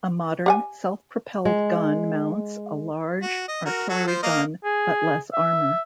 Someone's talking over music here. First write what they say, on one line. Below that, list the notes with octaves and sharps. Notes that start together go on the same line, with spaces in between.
A modern self-propelled gun mounts a large artillery gun but less armour.
G4 F#5 G#5
G#3
F#4
D#5
F#4 A#4
F#3 F#4 A4
F3 C5
A#3 D#5 F5
G#4
E5